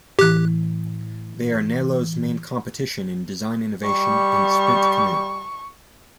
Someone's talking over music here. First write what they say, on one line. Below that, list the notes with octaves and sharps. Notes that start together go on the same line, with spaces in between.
They are Nelo's main competition in design innovation in sprint canoe.
A2 E3 G4 F#6
G3 C#6